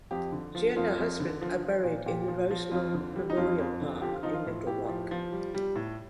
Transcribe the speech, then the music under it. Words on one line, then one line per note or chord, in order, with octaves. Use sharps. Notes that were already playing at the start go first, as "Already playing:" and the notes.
She and her husband are buried in the Roselawn Memorial Park in Little Rock.
F2 G4
D3
F3
F2 F4
F2
D3
F3
F3
A#2
A#2 G4
F3
F3
F2 F4
D3
G3
D#4
F2 F4
F2
D3
F3 G4
F4
F3 D#4
F4
A2
A2 G4
F3
F3
G3
G3
A2